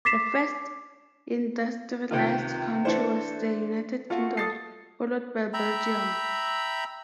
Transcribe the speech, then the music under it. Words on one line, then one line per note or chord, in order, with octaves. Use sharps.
The first industrialized country was the United Kingdom, followed by Belgium.
D6 A6 B6 C7 E7
C#2 C3 D#3 F4 G5
E3 A3 D4 A4 C5
A3 F4 F#4
A4 D#6 A6 C7
E5 G5 A#5 B5